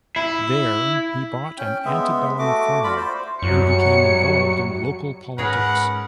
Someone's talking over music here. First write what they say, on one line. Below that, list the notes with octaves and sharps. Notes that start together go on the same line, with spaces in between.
There, he bought an antebellum farm and became involved in local politics.
E4
C#4 G5
G#3 B3 E5
A3 F#4 D6
F4 F#4 D5 B5
C5
F#2 F#3 G3 C#5 C#7
G#2 C#4 G#4 A#4 B4 F#5